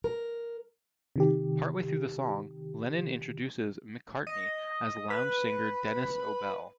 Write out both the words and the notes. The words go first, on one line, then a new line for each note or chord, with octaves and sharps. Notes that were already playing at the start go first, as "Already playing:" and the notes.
Partway through the song, Lennon introduces McCartney as lounge singer Denis O'Bell.
A#4
C3 D#3 G4
D#5
B4